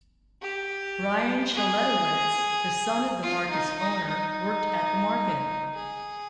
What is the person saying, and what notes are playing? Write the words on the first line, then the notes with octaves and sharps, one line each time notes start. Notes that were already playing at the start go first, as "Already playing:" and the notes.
Bryon Schletewitz, the son of the market's owner, worked at the market.
G4
G#4
F4
D#4
D#4
D#4
G#4